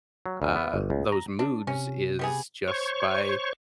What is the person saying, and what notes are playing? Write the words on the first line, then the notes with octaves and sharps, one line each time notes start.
uh, those moods is just by,
F#3
D2
B3
G1
C#2
A#5
D4
C3 C#4
G3 B3 G#4
C5 C#5 C#6